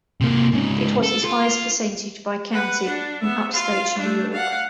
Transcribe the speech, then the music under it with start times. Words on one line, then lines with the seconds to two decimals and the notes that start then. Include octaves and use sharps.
It was his highest percentage by county in upstate New York.
0.21 C3 A#3
0.52 G#2 C#3
1.03 A4
1.25 F4
2.53 B4 F#5
2.89 D4
3.21 B3 E5
3.52 F4 F5
3.99 A3 D4
4.33 F5 F#5